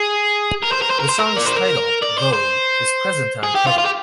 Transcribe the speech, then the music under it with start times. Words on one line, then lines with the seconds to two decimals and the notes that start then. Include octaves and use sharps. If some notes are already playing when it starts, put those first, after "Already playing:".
The song's title, "Vogue", is present on cover.
Already playing: G#4
0.63 A#4
0.71 C5
0.81 A#4
0.90 C5
0.99 A#4
1.09 C5
1.18 A#4
1.37 D5
1.47 C5
1.56 A#4
2.03 D5
2.18 C5
2.33 C5
3.43 G#4
3.55 G4
3.67 F4
3.78 F4
3.85 G4